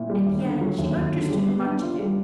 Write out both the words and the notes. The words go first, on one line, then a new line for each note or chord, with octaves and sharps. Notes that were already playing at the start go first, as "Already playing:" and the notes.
And yet she understood much of it.
Already playing: A#2 E4
G3
D#2
D3
F#3
D#2
D#2
D3
G3
B3
D4
F4
G3